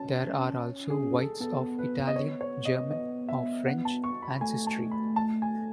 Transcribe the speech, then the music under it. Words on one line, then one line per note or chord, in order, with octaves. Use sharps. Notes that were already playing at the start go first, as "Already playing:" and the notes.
There are also whites of Italian, German, or French ancestry.
Already playing: C#4 A5
G#4
A4
B3 A4
B4
D#5
C#5
C#5
D#5
D#5
E5
F#5
A5
C#6
B5
A3 G#5
A5
B5
A5
G#5